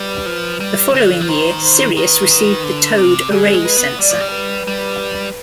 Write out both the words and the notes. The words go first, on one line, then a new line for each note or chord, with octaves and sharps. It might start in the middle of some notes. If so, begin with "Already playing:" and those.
The following year, "Sirius" received the towed array sensor.
Already playing: G3 B4
F3
G3
D3
F3
D#3 C5
C5
D#3 B4
D#3
D3
C3
D3 G#4
G#3
B4
B3
G3 D5
F3
G3
B4
G3